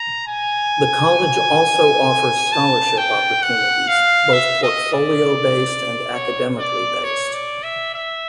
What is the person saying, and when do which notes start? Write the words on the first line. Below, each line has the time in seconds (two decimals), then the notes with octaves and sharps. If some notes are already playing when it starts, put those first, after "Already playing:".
The college also offers scholarship opportunities, both portfolio-based and academically-based.
Already playing: A#5
0.27 G#5
2.52 A5
2.97 G5
3.43 F#5
3.88 F5
4.33 E5
4.63 D#5
4.93 D5
6.14 C#5
6.59 D5
7.04 C#5
7.33 D5
7.63 E5
7.95 E5